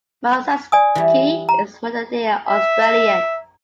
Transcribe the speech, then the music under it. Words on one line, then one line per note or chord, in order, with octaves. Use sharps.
Malceski is a Macedonian Australian.
D5 G#5 D#6
E3 G3
A#5
E5